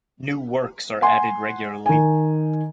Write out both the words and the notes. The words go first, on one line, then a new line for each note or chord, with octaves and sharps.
New works are added regularly.
F#5 G#5 C6
D#3 G#5